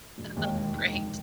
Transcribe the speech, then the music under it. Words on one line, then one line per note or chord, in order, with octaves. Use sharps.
That's great.
E1
D#2 D#3 G#3
E1
D#2 D#3 G#3
F1